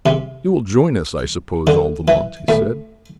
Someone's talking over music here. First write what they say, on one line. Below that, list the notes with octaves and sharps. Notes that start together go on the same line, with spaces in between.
"You will join us, I suppose, Altamont," he said.
C3
D3
E3
A2